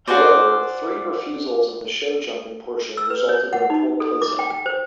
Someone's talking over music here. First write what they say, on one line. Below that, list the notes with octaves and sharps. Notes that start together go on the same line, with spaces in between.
However, three refusals in the show jumping portion resulted in a poor placing.
F#4 G#4 C5 D5
E6
B4
C#5
F#5
D#4
A4
D6
G5
G5
C5